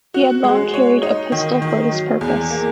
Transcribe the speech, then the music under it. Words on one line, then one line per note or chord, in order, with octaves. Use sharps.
He had long carried a pistol for this purpose.
F#4
G#3
C#5
D#4
D#3
D#3
F#3
E2
A#3